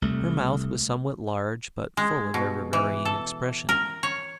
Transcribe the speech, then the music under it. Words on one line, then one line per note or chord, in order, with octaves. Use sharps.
Her mouth was somewhat large, but full of ever-varying expression.
C2 A3
G#3
B2
E3
A4
A#4
C#5